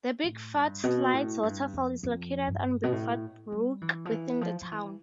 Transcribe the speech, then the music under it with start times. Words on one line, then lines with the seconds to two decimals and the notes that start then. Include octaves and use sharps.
The Bickford Slides waterfall is located on Bickford Brook within the town.
0.24 A2
0.54 G2
0.84 B2
1.14 A2
1.43 G2
1.74 F2
2.03 F2
2.48 G2
2.83 B2
2.92 A2
3.52 G3
3.82 E3
4.05 F3
4.11 E3
4.41 F3
4.62 F3
4.72 E3